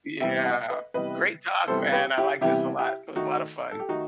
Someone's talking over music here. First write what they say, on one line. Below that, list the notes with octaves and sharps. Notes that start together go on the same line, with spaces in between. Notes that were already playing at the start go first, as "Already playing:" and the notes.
Yeah, great talk, man, I like this a lot. It was a lot of fun.
C3 E3 G3 B3 E5 G5
D#5 F#5
B4 D#5
C3 E3 G3 B3 B4 D#5
C3 E3 G3 B3 A4 C5
G4 B4
E4 G4
C3 E3 G3 B3 E4 G4
E4 G4
D#3 A3 D#4 F#4
A4
G4
D#3 A3 D#4 F#4